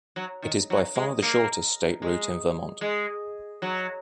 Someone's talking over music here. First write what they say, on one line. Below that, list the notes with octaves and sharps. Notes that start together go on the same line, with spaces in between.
It is by far the shortest state route in Vermont.
F#3
D#3
F#3
G#3
A#3
G#3
G#3
F#3